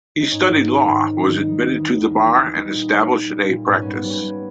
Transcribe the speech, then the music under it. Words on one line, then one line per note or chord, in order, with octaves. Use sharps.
He studied law, was admitted to the bar, and established a practice.
D#4
G#2 C#4
G#2
D#3
G#2
D#3
G#2
G3 D#4
E2
D#3
E2
E2
E2
G3 D#4
A#2
G3
G3
G3
A#2
G#2 B3
G3 C#4
B3
G3
C#4
G3